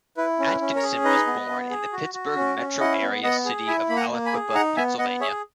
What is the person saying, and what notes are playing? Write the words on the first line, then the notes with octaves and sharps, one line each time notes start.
Atkinson was born in the Pittsburgh Metro Area city of Aliquippa, Pennsylvania.
E4 B4
C#4
B4
C#4
A#4 C#5
G#4
D#4 B4 D#5
B3
B3
G#4
F#4
F#4
C#4
C#4
E4 D#5 F#5
B3
B3 D#5 F#5
G#4
E4 E5 G#5
A#3 B5
F#5 A#5
A#3
G#5 B5
G#4
D#4 F#5 A#5
B3 E5 G#5
B3 D#5 F#5
G#4 C#5 E5